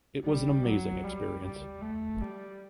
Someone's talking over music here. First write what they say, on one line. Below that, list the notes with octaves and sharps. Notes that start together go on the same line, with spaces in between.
It was an amazing experience.
G3
F#3
G3
G3
A3
G3